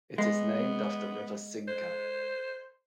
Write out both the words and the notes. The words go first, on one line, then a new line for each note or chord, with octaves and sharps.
It is named after river Cinca.
G#3 B3
C5